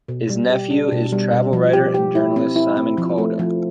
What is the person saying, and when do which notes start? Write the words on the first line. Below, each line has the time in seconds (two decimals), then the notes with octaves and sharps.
His nephew is travel writer and journalist Simon Calder.
0.08 B2
0.30 G3
0.50 G4
0.71 D4
0.92 B2
1.13 G3
1.32 B2
1.53 F3
1.73 G4
1.94 G4
2.15 E4
2.36 C4
2.56 E4
2.77 C4
2.98 F3
3.18 A3
3.39 F3